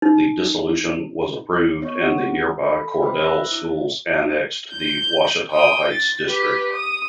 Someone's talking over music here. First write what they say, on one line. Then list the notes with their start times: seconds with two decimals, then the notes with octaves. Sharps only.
The dissolution was approved and the nearby Cordell schools annexed the Washita Heights district.
0.02 D#4
1.81 B3 C#5 D#5 C#6
1.97 B3 C4 F4 G4 F#5
2.62 A4 B5
3.02 B4 C5 D#5 E5 G5 B5
3.21 D4 E5 E6 F#6 A#6
3.51 E4
4.71 G6
5.51 G5 D#6
5.91 A6
6.26 G4 B4
6.73 D#6